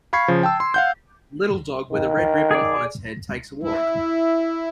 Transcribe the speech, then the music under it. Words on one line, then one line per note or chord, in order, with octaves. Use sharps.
A little dog with a red ribbon on its head takes a walk.
F5 B5 C#6 G#6 C7
C#3 F3
G5 A5 E6
C6
F5 F#5 G6
D#3
G#4 D5
E4